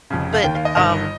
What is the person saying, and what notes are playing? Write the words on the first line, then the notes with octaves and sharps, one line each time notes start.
but, um,
F1 F2 C#3
F5
D#2 D#3 G5
F5
D#5
G1 G2 D#3 D#5